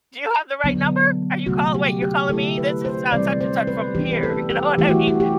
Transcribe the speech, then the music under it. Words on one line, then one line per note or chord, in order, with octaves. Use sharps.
do you have the right number? Are you call wait, you're calling me? This is, uh, such and such from here," you know what I mean?
D3 F#3 B3 D4
C3 F#3 A3 F#4
G4
G4
D3 A3 E4 A4
B4
C5
C3 E3 G3 C4 D5
C5
B4
E3 B3 D4 G4
B4
A4
G4
E3 A3 E4 G4
F#4
F#4
G4